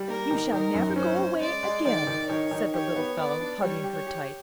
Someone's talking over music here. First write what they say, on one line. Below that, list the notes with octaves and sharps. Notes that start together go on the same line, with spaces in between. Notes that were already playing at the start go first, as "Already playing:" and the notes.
"You shall never go away again," said the little fellow, hugging her tight.
Already playing: G3
A#3 A#4
D#3
D#3 A#4
F#2
C#4 C5
C#4
G#3 D5
G#3
D#3 D5
D#3
D#3 C#5
D#3
G4 C#5
B3
B3 D5
D4
G3 C#5
G4
C#5
G4